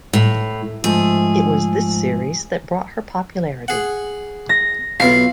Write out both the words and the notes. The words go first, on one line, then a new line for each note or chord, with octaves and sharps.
It was this series that brought her popularity.
A2
G#2 F3 A3 G#4
G#4 F#5
A#6
B1 E4 F4 C7